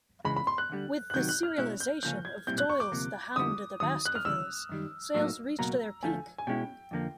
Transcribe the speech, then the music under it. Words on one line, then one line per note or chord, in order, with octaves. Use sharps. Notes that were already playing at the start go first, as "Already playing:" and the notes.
With the serialisation of Doyle's "The Hound of the Baskervilles", sales reached their peak.
C#2 C#3 E3 G#3 B5
B5
C6
F#6
D2 D3 G3
F#6
C3 D#3 F#3 G6
F#6
F6
B2 G#3 C#4 E4 F#6
G6
D2 C#3 F3 A#3 C#4 G6
G#6
B1 A#2 G3 C4 E4 G6
F#6
C#6
D6
D2 C3 F3 A#3
F2 D3 G3 B3 E4 D#6
D#2 D#3 F#3 D#6
F#6
F6
D2 C#3 E3 E6
F#2 D#3 G3
A2 F#3 A#3 D#4 E6
C#2 B2 F#3 A#3 A#5
D2 D3 F3 A3 G#5
G#5
B2 G#3 C#4 E4 G5
F2 D3 F3 A#3